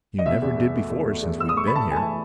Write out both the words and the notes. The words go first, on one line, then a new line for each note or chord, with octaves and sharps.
You never did before since we've been here.
D#5
B2 E5
E2
E2
A3
E2
A3
E2
E2 E6
D#6
A2 C#6
A3 B5
A5
A2
G#5
A5
E3